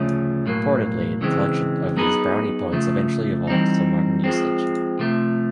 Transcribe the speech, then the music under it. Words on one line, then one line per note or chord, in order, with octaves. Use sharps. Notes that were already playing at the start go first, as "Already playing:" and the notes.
Purportedly, the collection of these "brownie points" eventually evolved into the modern usage.
Already playing: D2 C#3 F3 A3 C#4
B1 A2 F#3 A#3
C#3 E3 G#3 C4
F#3 B3 D#4 G#4 B4
C#3 F3 A3
E3 G3 C4 D#4
F3 G#3 C4
C3 F3 A3